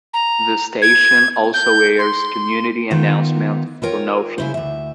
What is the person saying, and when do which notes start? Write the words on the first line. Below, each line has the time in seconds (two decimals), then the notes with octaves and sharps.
The station also airs community announcements for no fee.
0.14 A#5
0.82 G#6
1.54 G6
1.99 C6
2.91 D#3 B3 F4
3.82 E4 F4 A#4 C#5 G5
4.38 C#3 E4 C5
4.54 D2 E5